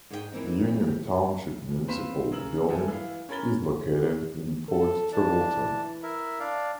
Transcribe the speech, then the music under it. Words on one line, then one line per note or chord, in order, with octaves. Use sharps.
The Union Township Municipal Building is located in Port Trevorton.
G#2 G#3 D#4 G#4 B4 G5
E3 A#3 C4 D#4
G4
C4 B4 F5 C6 B6 E7
C#3 A#4 E6 F#7
C2 A4 G5 G#5
E3 F5
C#4 A#4 B5 A6 G7
A4
E3 D4 A5
E4 A#4 E5
D4 D5 F5